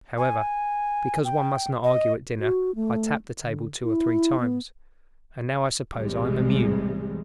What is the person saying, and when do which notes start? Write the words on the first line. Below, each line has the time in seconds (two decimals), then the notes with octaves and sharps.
However, because one must not argue at dinner I tapped the table two or three times... and now I suppose I am immune.
0.18 G#5
1.25 G5
1.84 D#5
2.40 F#4
2.75 A3
3.42 D3
3.83 E4
4.40 B3
5.96 B1 E2 A2 C3 G3 G#3